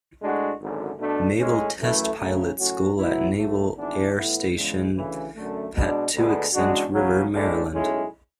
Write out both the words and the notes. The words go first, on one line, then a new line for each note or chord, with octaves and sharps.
Naval Test Pilot School at Naval Air Station Patuxent River, Maryland.
A2 G#3 D4 F#4
G#1 F#2 D3
B2 A3 D4
A2 G#3 C#4
F#2 E3 A3
D2 C#3 F#3 A3 C#4
A2 F#3 C#4 F#4
A2 F#3 B3 E4
A2 F#3 A3
G#1 G#2 E3 B3 D4
A2 E3 B3 E4
E2 C#3 G#3
D2 C#3 E3
F#2 D3 A3
B2 G#3 D4
D2 D3 G#3 B3
E2 C#3 G#3 D4 F#4
E2 C#3 F#3
A1 A2 G#3 D4
B1 A2 G#3 C#4 E4